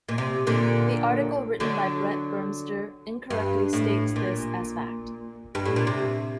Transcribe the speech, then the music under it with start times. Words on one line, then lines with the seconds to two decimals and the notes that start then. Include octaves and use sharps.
The article written by Brett Burmster incorrectly states this as fact.
0.09 A#2
0.18 C3
0.47 A#2 D3
1.60 D3 F#3
3.30 G2
3.73 A2
4.16 A#2
5.55 G2
5.65 A2
5.76 A#2
5.87 C3